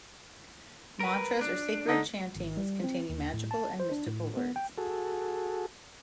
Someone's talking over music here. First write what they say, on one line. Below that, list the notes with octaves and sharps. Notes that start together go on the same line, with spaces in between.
Mantras are sacred chantings containing magical and mystical words.
A#4 B4
D4
D3 D#4
G#1
G3
C4
D#2
A2
A5
C5
D4
A2
B3
G5
F#4 G#4 A4